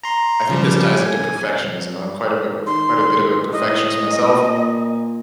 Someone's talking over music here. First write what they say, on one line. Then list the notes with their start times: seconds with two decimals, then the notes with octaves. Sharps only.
I think this ties into perfectionism. I'm quite of a quite a bit of a perfectionist myself
0.04 A#5 C6
0.49 C#3 F3 G3
0.94 G#5
2.67 D#3 C6
3.52 A2 D#5
4.33 A#2